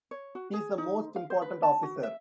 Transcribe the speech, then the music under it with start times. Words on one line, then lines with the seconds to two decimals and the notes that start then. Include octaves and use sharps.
He’s a most important officer.
0.11 C#5
0.35 F#4
0.53 G#4
0.78 D#4
1.16 F5
1.30 C5
1.42 B4
1.63 A5
1.83 F#4
2.03 E5